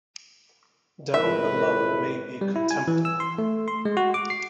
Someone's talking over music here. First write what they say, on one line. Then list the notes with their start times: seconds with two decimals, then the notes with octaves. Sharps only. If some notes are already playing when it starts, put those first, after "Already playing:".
Down below it may be contemptible.
1.14 G#1 C#2 A2 A#4 B4 E5
2.41 G3
2.56 E4
2.71 G#5
2.88 E3
3.05 E6
3.20 C6
3.38 A3
3.68 C6
3.85 G#3
3.97 F#4
4.14 D6
4.30 C7